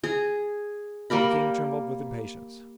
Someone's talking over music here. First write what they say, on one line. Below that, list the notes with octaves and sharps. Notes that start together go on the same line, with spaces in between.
The king trembled with impatience.
G#4
G3 A#3 A#4 B5